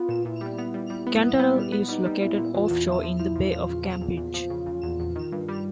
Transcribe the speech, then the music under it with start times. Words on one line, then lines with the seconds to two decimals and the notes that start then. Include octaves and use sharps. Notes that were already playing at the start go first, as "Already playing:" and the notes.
Cantarell is located offshore in the Bay of Campeche.
Already playing: B3 F4
0.09 A#2
0.25 A#2 E4
0.41 G3
0.58 B3
0.74 G3
0.90 G3
1.07 B3
1.23 B3
1.39 B3
1.56 G3
1.72 B3
1.89 G3 D#4
2.05 G3
2.21 A#2 E4
2.38 A#2
2.54 E2 F4
2.70 E2
2.86 F3 E4
3.03 F3
3.19 F3 E4
3.36 F3
3.52 F3 F4
3.69 C#3
3.85 F3 F4
4.01 E2
4.17 E2
4.34 F3
4.50 C#3
4.66 C#3
4.83 E2
4.99 E2
5.16 D#3
5.32 G2
5.48 G3